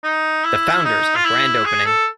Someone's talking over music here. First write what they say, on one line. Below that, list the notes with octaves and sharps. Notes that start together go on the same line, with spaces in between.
The founders of Grand Opening!
D#4
E4
D#4
F4
E4
G#4
A4